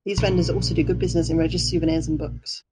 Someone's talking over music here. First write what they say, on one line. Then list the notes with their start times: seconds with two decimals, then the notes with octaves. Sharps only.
These vendors also do good business in religious Souvenirs and books.
0.17 A#1 C#3